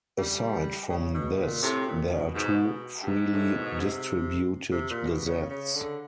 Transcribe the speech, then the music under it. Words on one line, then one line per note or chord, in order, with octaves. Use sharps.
Aside from this there are two freely distributed gazettes.
G3
C#3
B2
A#2
A2 C3
A#2
B2
G#2 B2
G2
G#2
A2
B2
C3
C3
A#2
B2
C#3
C#3
D3